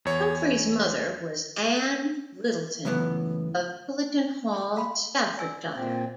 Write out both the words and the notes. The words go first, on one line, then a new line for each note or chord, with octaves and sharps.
Humphrey's mother was Ann Lyttleton, of Pillaton Hall, Staffordshire.
E2 C#5
C#2 F#2 A2 E3 B3
F5 B5 C6
D5 G#5 E6
A#2 C4